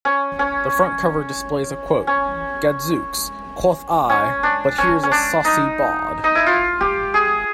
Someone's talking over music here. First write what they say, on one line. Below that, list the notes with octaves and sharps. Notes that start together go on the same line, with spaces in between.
The front cover displays a quote: "'Gadzooks,' quoth I, 'but here's a saucy bawd!'".
C#4
C#4
C#4
C#4
D4
C#4
C#4
D4
D#4
D#4
E4
F4
G4
G#4